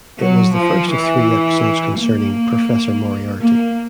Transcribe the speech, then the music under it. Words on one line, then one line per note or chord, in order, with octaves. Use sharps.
It was the first of the three episodes concerning Professor Moriarty.
F#3
F3
E3
A#3
A#3